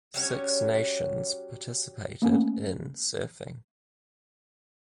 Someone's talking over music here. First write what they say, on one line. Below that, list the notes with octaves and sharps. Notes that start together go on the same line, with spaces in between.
Six nations participated in surfing.
F#3 G3 C#4 C#5
A3 A#3 C#4